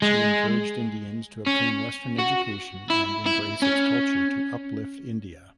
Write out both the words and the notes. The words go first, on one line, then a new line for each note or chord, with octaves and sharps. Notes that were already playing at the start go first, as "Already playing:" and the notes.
He encouraged Indians to obtain western education and embrace its culture to uplift India.
G#3
C#4
F#4
E4
E4
C#4